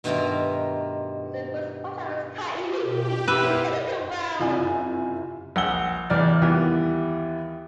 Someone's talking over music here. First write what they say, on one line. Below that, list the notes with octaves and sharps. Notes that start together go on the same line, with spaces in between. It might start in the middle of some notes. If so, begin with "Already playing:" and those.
It's the first project of its kind in the world!
G2 B2 D#3 A3 F4 A#4
B2 G4
B3 E4 F4 B4 E5
F#1 C3 E4 F4 G#5
A#1 F#5 E6 G7
A1 E2 D5 F6
D#2 E3 G3 B3